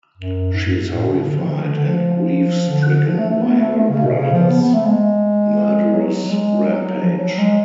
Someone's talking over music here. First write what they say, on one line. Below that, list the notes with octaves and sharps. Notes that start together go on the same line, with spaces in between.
She is horrified and grief-stricken by her brothers' murderous rampage.
F#2
G#2
F#2
A2
C#3
D3
F3
D3
D3
D3
F3
D3
F3
A3
A3
B3
A3
A3
C#3
B2
C#3
F3
B3
B3
A3
G#3
F#3
F#3
G#3
F#3
F3
F3
F#3
G#3